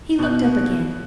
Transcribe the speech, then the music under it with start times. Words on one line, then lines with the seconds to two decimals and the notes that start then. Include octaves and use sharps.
He looked up again.
0.19 B2 F#6